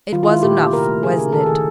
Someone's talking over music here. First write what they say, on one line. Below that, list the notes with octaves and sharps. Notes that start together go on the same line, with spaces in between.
It was enough, wasn't it?
D#3 F4
F4
D#3 E4
A#2 G4
A3
C3 A#4
A3
C#3 G#4
C#3 A#4
D#3 A4
D#3 G#4